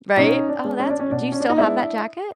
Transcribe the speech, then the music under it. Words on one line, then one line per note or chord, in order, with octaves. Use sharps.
Right? Oh, that's do you still have that jacket?
B2 C#4 D#4
D4
G#3 B3
C#4
D4
C#4
B2 D4
C#4
D4
D#4
G#3 B3 D4 E4